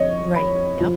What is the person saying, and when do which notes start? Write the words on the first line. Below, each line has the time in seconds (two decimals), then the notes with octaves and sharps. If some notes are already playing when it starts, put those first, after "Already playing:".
Right, yup,
Already playing: F2 C#5 D#5
0.36 B5
0.80 F3